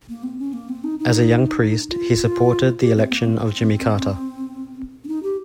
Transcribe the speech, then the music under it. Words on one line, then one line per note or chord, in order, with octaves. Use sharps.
As a young priest, he supported the election of Jimmy Carter.
A#3
C4
C#4
A#3
C4
D#4
D#4
F4
G4
C4
A#3
C4
C#4
D#4
G4